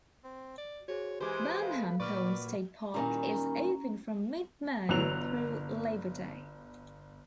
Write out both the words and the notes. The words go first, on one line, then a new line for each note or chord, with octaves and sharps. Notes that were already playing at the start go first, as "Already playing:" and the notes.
Burnham Point State Park is open from mid-May through Labor Day.
C4
D5
F#4 G#4 C5 C#5
E3 G#3 G4 B4 C5 D6 G#6
A4 F5
A#2 F#3 B4 D5 C#6 D6 F6
A#2 D#3 G3 C#4 A#5
G1 E3 F#3 F#6 F7